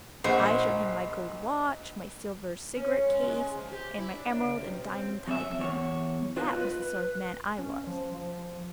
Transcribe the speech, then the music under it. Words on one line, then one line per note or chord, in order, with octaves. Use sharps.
I showed him my gold watch, my silver cigarette case, and my emerald and diamond tie-pin--that was the sort of man I was.
A#1 C5 D#5 F#5 C#6
C#4
G#3
G#3
F3
G4
E4
D4
D4
C#3
B2
C4
F2 C#4 E5
E2 C#5
F4 B4 D#5 F5
B4
C#4
F3
F3